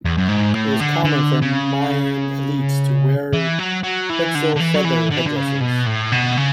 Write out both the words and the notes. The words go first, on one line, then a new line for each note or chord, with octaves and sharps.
It was common for Mayan elites to wear quetzal feather headresses.
E2
F#2
G#2
A2
D3
D3
C#3
E3
F#3
F#3
E3
D3
D3
E3
F#3
E3
D3
E3
D3
C#3
B2
A2
B2
C#3